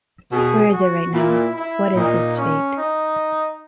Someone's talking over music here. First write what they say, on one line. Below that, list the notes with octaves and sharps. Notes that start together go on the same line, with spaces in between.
Where is it right now, what is it’s fate?
B2 G#4
F#4
A#2 E4
E4
A#2 D#4
C#4
D#4